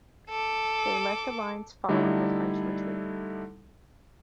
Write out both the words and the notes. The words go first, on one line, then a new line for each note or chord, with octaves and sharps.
They left the lines, following the French retreat.
A4 D6
D3 G3 A3 D#4 E4 A4